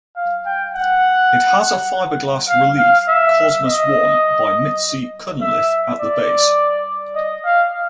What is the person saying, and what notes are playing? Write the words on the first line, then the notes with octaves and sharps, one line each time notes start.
It has a fibreglass relief, "Cosmos I", by Mitzi Cunliffe, at the base.
F5
G5
F#5
F5
F5
E5
D#5
E5
D5
D#5
F5